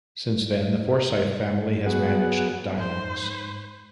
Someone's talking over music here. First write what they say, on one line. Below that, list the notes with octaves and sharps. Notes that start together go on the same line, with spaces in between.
Since then, the Forsyth family has managed Dymocks.
F#3 B3 G#4 F#5
G#2 C5